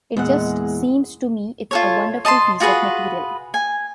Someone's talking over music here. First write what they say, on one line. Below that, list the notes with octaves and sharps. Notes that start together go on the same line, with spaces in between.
It just seems to me it's a wonderful piece of material.
E2 A#2 G#3 F#5
F4 A4 C#5
D#5 A5 A#5 C6
F4 F#4 G#4 B4
G#5